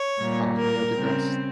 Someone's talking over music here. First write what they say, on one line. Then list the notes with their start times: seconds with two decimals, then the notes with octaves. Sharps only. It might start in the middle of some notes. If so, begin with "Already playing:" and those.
um, Neil deGrasse
Already playing: C#5
0.20 A#2 G3 A#3
0.58 A#4
0.95 C#3 G3 C4